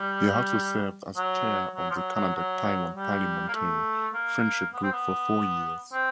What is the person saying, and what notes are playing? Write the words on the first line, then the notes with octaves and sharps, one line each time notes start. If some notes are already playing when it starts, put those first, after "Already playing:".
He also served as chair of the Canada-Taiwan Parliamentary Friendship Group for four years.
Already playing: G3
F#3
F#3
F3
F#3
F#3
F#3
G3
A#3
A3
A#3
B3
C4
B3
C4